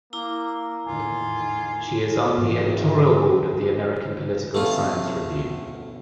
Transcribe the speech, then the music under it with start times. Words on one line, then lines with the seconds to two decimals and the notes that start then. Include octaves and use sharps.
She is on the editorial board of the "American Political Science Review".
0.13 A#3 E4 A#5 D6
0.86 E2 A2 D#3 F4 G#5
2.38 F#1 G#2 E3
4.55 G2 B2 A3 C#4 F4